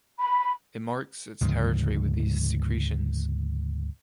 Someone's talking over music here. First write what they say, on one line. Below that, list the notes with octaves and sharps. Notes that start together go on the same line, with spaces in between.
It marks its territory with these secretions.
B5
D2 G#2 C#3 F3